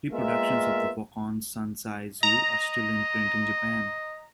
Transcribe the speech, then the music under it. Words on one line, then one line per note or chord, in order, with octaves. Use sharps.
Reproductions of the "Wakan Sansai Zue" are still in print in Japan.
G#3 A#3 B3 F4 A#4 E5
D#5 A#5